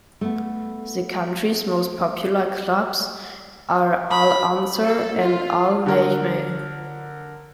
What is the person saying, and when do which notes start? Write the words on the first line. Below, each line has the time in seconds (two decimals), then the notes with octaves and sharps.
The country's most popular clubs are Al-Ansar and Al-Nejmeh.
0.21 A3 B3
4.11 B5
4.83 A4
5.18 F4
5.86 D3 A#4